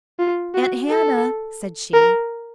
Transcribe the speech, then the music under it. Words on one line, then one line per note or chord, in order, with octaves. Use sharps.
"Aunt Hannah?" said she.
F4
F#4
A4
A#4